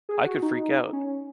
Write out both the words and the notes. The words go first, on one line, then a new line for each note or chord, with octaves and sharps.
I could freak out!
G#4
F#4
D#4
C#4